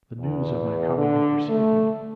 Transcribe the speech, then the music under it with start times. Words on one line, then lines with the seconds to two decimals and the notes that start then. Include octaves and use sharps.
The news of my coming had preceded me.
0.19 E2
0.97 D3
1.49 A3